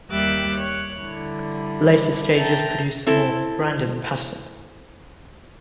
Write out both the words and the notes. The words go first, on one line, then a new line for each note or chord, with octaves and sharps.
Later stages produce a more random pattern.
D#2 G3 G4 E5 D6 F#6
C#5 F#6
D3 G3 E4
D#3 E5 G5 A5 A#5 C6
C4 E4 A4